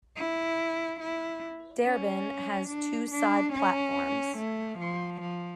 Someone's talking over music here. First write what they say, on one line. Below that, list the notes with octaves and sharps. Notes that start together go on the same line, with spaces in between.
Darebin has two side platforms.
E4
E4
C#4
D4
D4
C#4
A3
F3
F3